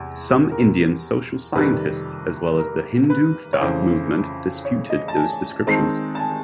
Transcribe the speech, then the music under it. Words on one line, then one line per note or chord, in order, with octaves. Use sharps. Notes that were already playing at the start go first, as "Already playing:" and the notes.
Some Indian social scientists, as well as the Hindutva movement, dispute those descriptions.
Already playing: E2 C3
A#4
F2 C3 D#3 G3 B4
A#4
B4
C#5
F2 C#3 E3 C5
C#5
D#5
A5
G#5
D#3 G#3 C4 D#4 A5
A5
G#5